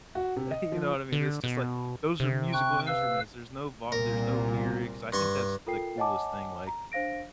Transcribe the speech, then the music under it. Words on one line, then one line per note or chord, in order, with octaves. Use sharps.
you know what I mean? It's just like those are musical instruments. There's no vo there's no lyrics. I think that's the coolest thing like,
F#4
C3
D#5
F3
D3
B2
C3
G5 C#6 F#6
B4 F5 E6
C2 A#2 A#4
G2 C6 C#6
F4 A4 A#4 G5 C7
C#5 D#5 F#5 G#5 A5 D6
A#5
D4 C5 F5 A#6 D7